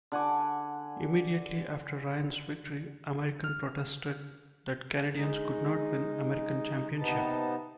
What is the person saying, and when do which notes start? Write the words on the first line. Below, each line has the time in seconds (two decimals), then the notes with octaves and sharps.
Immediately after Ryan's victory, Americans protested that Canadians could not win an American championship.
0.12 D3 F#5 G#5 D6
3.44 F6
5.15 G#3 D#4
6.98 C3 B3 D#4 A5